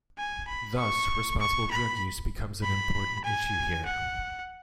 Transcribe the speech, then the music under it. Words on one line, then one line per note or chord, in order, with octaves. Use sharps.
Thus, responsible drug use becomes an important issue here.
G#5
B5
C#6
C#6
B5
B5
G#5
F#5